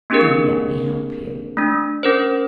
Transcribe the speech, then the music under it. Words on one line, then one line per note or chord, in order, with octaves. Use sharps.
"Do let me help you."
A#3 C4 D4 G4 G#4 A#4
A3 D4
C#4 A#4 C5